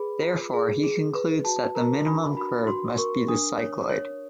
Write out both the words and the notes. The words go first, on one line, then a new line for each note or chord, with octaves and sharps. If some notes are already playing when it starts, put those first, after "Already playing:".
Therefore, he concludes that the minimum curve must be the cycloid.
Already playing: G#4 B4 B5
F4
G#4
G#4
B4
F#4 A5
A#4 A#5
D4 B5
F#4 B5
F#4 C6
A#4 C#6
D4 D#6
C#5
C#5